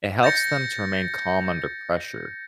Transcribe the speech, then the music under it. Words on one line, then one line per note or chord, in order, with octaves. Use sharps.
it helps them to remain calm under pressure,
G6 A6 A#6 C#7